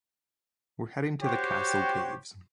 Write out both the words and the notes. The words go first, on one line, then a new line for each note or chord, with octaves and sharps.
We’re heading to the castle caves.
F#4 G4 C5 C#5 G5